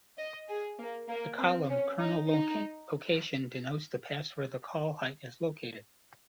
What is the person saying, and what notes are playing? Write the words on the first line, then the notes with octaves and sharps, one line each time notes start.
The column "Colonel location" denotes the pass where the col height is located.
D#5
G#4
A#3
A#3
C4
C#4
D#4
D#4